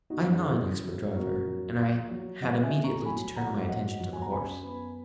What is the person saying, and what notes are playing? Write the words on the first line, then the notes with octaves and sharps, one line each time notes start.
I am not an expert driver, and I had immediately to turn my attention to the horse.
D#4 F#4
F#2
E4 G#4
F#2
F#3
F#2 F#4 A#4
F#3
A#3
F#3
F#3 D#5 F#5
E5 G#5
B2
A#5 C#6
F#3 G#5 B5
F#3 F#5 A#5
F#3 D#5 F#5
F#3
G#5
A#5
F#2 G#5 B5
B3